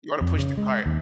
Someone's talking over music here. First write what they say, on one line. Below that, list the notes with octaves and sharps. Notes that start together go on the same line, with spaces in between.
You oughta push the cart.
F2
C#3
G#3
D#2